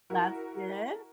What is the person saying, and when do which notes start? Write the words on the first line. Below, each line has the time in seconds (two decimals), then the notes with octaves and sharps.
That's good.
0.10 E4 F#4 A#4